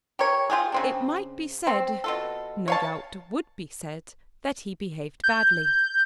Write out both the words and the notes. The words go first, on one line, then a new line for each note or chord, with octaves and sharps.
It might be said, no doubt would be said, that he behaved badly.
G4 A#4 C#5
F4 G4 G#4
C#3 C4 D4
C4
B2 F4 A4
C#5 F5 A5
G6